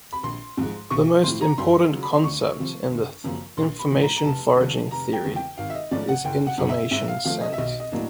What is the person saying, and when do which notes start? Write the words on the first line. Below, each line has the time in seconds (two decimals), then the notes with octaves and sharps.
The most important concept in the information foraging theory is "information scent".
0.13 B5
0.23 A#1 C6
0.57 G#2 F3 G#3
0.90 B1 C#6
1.23 A2 F3 C6
1.41 A#5
1.58 F#2 C6
1.91 C#3 F#3
2.03 B5
2.14 C6
2.24 D2 C#6
2.58 C3 F3
2.91 G1
3.24 F#2 C#3 F3 A#3
3.57 A#1 C6
3.79 B5
3.92 A2 F3
4.02 A#5
4.16 A#5
4.25 F1 A5
4.57 D#2 C#3 F#3
4.91 F1 A#5
5.13 G5
5.24 E2 C#3
5.36 G5
5.58 G#1 F5
5.70 E5
5.75 D#5
5.91 G#2 F3 A3 C#4 D5
6.09 F#5
6.24 F#1 G5
6.47 F#5
6.58 F#2 C#3
6.69 E5
6.91 G#2 E5
7.08 F5
7.25 F3 A3 F5
7.42 D#5
7.53 E5
7.58 B1 D#5
7.80 D#5
7.92 A2 F#3 A#3 D4